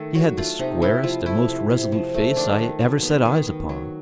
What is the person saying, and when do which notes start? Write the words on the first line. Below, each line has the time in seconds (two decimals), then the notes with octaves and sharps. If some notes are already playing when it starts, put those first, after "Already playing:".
He had the squarest and most resolute face I ever set eyes upon.
Already playing: D#3 A3 A4
0.15 F#3 F#4
0.37 A3 F4
0.59 C3 D#4
0.82 C3 E4
1.04 F3 F4
1.26 A3 E4
1.48 C3
1.70 C3
1.92 F3
2.14 A3
2.36 D#3 D4
2.59 D#3
2.80 F#3
3.03 B3
3.25 D#3
3.47 D#3
3.69 F#3